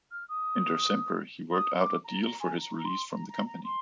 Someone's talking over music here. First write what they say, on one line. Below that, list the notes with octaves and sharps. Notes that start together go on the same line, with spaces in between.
In December, he worked out a deal for his release from the company.
F6
D#6
D#6
D6
A#5
A#5
G#5
A#5
A#5
C6
A#5
A#5
A#5
C6